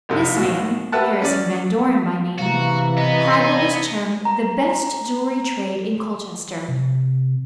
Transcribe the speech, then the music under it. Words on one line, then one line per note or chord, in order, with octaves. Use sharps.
This man--Harrison Van Doren by name--had what was termed the best jewelry trade in Colchester.
B1 F2 C3
A#1 D#2 F#4
G4 B4 E5 F#5 A5
C#4 D5
C3 E3 F#4 F5 A#5
B3 D#5 G#5
A#5
C3